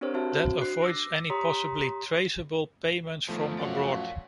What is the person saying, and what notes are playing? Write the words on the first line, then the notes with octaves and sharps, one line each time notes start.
That avoids any possibly traceable payments from abroad.
C4 D4 G4 A#4 C5 C#5
C4 F#4 C5 E5 A5
F#4 C5
D4 F#6 C7
D6 E6 A#6
G4 C#5 A#5 C6 D#6 B6
E2 D#3 F3 A3
F#2 C#5 D5 F5 F#5